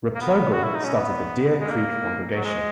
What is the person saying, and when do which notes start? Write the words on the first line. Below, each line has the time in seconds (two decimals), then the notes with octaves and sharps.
Replogle started the Deer Creek congregation.
0.15 A#3
0.21 B3
0.53 F#4
0.64 E4
0.74 D#4
0.85 C#4
0.95 B3
1.60 G#3
1.70 A#3
2.36 F#3
2.44 G#3